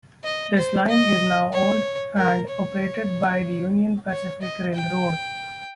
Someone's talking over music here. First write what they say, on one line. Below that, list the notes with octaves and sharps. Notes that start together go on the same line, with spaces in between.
This line is now owned and operated by the Union Pacific Railroad.
D#5
C5
D#5
C#5
A#4
C#5
C#5
D#5
G5